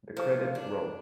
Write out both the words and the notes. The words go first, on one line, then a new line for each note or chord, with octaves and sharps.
The credits roll.
F3
D4